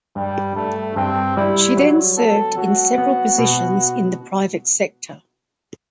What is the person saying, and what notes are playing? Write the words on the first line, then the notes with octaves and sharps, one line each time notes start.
She then served in several positions in the private sector.
G2 G3
G2 A3
G2 C4
G3 E4
F#3
B3 A4
F#3 F#4
B3
B2